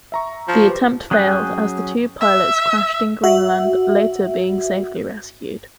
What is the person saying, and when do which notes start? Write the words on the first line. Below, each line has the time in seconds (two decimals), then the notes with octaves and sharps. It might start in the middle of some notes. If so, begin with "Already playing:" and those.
The attempt failed as the two pilots crashed in Greenland, later being safely rescued.
0.12 E5 A#5 C#6
0.48 F3
0.68 G4 B4 C5
1.11 F#3 C#4 G#4 G5 F#6
2.21 E5
3.23 F#4 E5